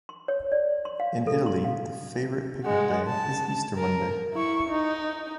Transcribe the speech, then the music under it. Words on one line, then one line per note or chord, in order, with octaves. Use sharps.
In Italy, the favorite picnic day is Easter Monday.
C6
C#5
D5
C6
F5
A4
C6
F5
G#3 F#5
A5
A#4
E4 C#6
D#4